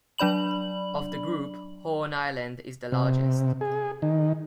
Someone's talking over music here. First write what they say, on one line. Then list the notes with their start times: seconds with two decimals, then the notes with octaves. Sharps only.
Of the group, Horn Island is the largest.
0.18 F#3 D4 D5 B5 F#7
2.92 C3
3.61 G#4
4.02 D#3